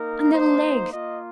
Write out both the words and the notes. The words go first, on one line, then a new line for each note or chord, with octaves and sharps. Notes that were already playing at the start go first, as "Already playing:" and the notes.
And the legs!...
Already playing: A#3 D#4 A#4
C5
A#3 F4 D#5